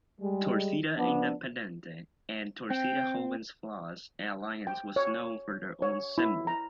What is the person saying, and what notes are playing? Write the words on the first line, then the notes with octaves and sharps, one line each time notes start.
"Torcida Independente" and "Torcida Jovem Fla"'s alliance was known for their own "symbol".
G3 G#3
F3 B3 D4
C4 G5
G5
C#5
C#5
E4
A#5